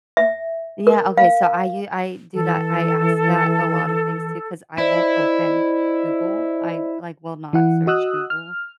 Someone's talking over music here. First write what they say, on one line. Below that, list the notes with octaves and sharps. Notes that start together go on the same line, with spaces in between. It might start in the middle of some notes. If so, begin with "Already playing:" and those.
Yeah, okay, so I u I do that, I ask that a lot of things too 'cause I won't open Google. I, like, will not search Google.
E5
A#4
F5
E3 A4
E4 C5 D5 D#5
E3 E4 F#5
F#4 D#5 D#6 E6 F#6
F6